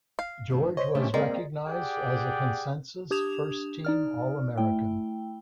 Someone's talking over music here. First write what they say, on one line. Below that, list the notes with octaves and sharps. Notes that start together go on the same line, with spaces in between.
George was recognized as a consensus first-team All-American.
F5
G2 D#3 A3
C5 C#5 D#5
B2 D3 A3 C#4 G4
G#3 A#3 C4 A#4 D5
G4 G#4 D5 F#5 G5
D4 G4 D#6 G#6 E7 F7
D#4 D5 F6
A3 E4 G5